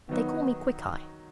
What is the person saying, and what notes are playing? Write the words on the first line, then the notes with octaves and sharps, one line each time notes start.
They call me Quickeye.'
D#3 F#3 B3 D#4 F#4